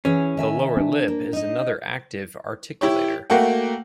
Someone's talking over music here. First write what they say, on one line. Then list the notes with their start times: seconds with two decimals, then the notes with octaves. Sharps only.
The lower lip is another active articulator.
0.05 E3 C#4 G#4
0.37 D#3 E5 G#5
0.77 C4 D4
1.08 A#3
1.33 D#4 D#5
2.81 E4 G4 C#5
3.30 A3 A#3 F#4 F#5 G5